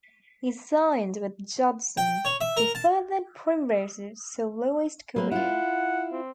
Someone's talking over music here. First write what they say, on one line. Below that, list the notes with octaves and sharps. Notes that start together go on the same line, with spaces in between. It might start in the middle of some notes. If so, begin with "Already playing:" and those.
He signed with Judson who furthered Primrose's soloist career.
G5
C#5
E5
A#4
A5
F#3 A#3 C4 B4
E4 F4 F#5
C4